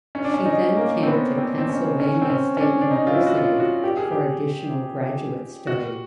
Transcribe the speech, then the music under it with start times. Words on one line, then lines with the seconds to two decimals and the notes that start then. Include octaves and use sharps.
She then came to Pennsylvania State University for additional graduate study.
0.15 C#4
0.24 D4
0.34 C#4
0.45 D#4
0.77 A#3
1.03 C4
1.07 B3
1.38 C4
1.58 C4
1.69 C#4
2.00 C#4
2.22 C4
2.30 C#4
2.57 C#4
2.60 D4
2.81 D4
2.91 D#4
3.07 F4
3.14 E4
3.27 F#4
3.37 F4
3.60 F#4
3.84 G4
3.97 G#4
4.12 G4
5.67 F#4